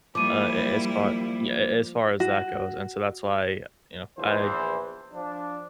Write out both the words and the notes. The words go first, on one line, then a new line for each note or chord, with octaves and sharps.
uh, a as far yeah, as far as that goes, and so that's why, you know, I
F3 G3 A#3 E4 D6 D#7
F#4
A#1 E2 E3 C5
F3 D4